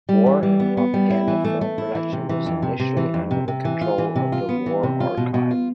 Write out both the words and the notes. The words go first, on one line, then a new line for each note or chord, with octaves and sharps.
War and propaganda film production was initially under the control of the war archive.
G3
E3
G3
B3
B3
G3
E4
E3
A3
A3
E4
E3
C3
E3
F2
C3
C3
E3
F2
C3
C3
E3
F4
E3
C3
F4
B3
E3
C3
F4
B2
B2
F4